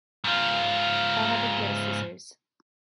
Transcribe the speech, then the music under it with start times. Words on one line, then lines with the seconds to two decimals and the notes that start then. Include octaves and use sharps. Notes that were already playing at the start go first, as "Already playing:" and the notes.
I have a pair of scissors.
0.24 G#2 F4